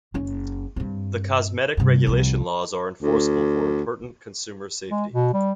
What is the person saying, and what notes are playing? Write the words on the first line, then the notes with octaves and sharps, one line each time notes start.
The cosmetic regulation laws are enforceable for important consumer safety.
F#1 C#4
G2 C4
G2 C3
C2 F3
D2
G#3
B2
G3